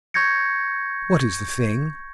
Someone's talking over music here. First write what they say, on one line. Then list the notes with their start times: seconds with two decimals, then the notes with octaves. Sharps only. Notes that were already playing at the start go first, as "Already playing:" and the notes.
"What is the thing?"
0.14 C#6 G6 G#6 A#6 C#7